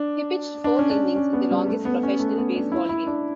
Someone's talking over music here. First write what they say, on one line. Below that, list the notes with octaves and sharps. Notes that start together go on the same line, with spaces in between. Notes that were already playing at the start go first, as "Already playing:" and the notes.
He pitched four innings in the longest professional baseball game.
Already playing: D4
D4
C#4
D4
C#4
B3
G3
A3
B3
C#4
A3
B3
D4
E4
E4
D4